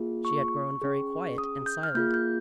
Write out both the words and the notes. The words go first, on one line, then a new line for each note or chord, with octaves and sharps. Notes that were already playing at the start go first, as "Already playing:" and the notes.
She had grown very quiet and silent.
Already playing: A#3 F4 G#4
C#6
C#4 G#4
D#6
G6
F6
A#3 F4 G#4 G6
G6